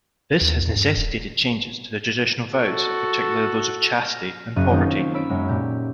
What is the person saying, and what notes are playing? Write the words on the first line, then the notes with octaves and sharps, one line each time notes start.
This has necessitated changes to the traditional vows, particularly those of chastity and poverty.
D#2
E2
G2
D#1
F#4 A4
F6 A#6
F#1 F#2 C#4 F#6 D#7
D#3 A#3 C4 C#4 D#4 F4
C#4 B5 E6 B6 D7
F#2 F#3 G#3
A#2 G4